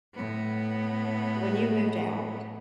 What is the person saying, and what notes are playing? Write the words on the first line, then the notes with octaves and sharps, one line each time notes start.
when you moved out
A2 B3